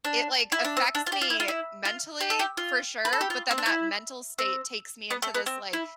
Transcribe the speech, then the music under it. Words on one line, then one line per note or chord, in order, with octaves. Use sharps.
it, like, affects me mentally, for sure, but, then that mental state takes me into this, like
D4
E4
D4
C4
D4
F4
G4
F4
E4
F4
E4
F4
G4
A4
G4
F4
B4
A4
G4
F4
C4
D4
E4
C4
B3
A3
B3
C4
E4